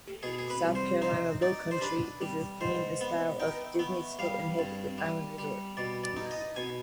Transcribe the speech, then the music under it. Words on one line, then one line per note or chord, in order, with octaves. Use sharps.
"South Carolina Lowcountry" is the theme and style of Disney's Hilton Head Island resort.
B2 G#4
G#4
B4
C2
C5
D#4 C5
D#4 D5
C5
D4 B4
G3
G#2 C5
B3
D#4 G5
B3
G3 F5
G2
G3
G3
B2 D5
D5
D#4
D#5
B2 G#5